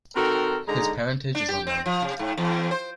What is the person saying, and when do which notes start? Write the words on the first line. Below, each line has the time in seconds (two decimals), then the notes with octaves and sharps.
His parentage is unknown.
0.15 D#3 C4 F#4 A4 A#4
0.68 G#2 D3 G#3 D#4 A#5
1.35 D4
1.49 G4
1.67 C4
1.86 F3
2.02 C3
2.19 G#2
2.37 E2
2.71 C5